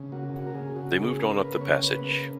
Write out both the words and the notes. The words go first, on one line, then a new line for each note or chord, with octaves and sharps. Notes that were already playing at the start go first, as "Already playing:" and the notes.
They moved on up the passage.
Already playing: C#3
A#3 F#4
C#3 F#4
A#4
C#3 G#4
C#3 F#4
A#3 G#4
A#3 A#4
C#3 B4
A#3 C#5
C#3 B4
A#3 B4